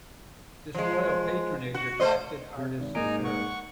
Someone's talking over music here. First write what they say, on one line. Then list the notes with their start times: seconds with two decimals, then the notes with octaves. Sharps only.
This royal patronage attracted artists to Paris.
0.74 F3 G#3
1.74 F#4
2.00 A3 C5 D#5
2.57 C3
2.80 G#1
2.95 G#2 A#3 D#4 G#5 A#5 D7
3.24 F#5 C#6